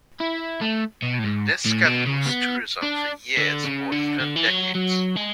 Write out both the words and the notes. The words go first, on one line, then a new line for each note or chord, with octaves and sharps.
This can boost tourism for years or even decades.
E4
A3
B2
A2
G#2
A2
B2
C#3
B3
D4
D3
C#3
D3
D3
E3
F#3
F#3
G#3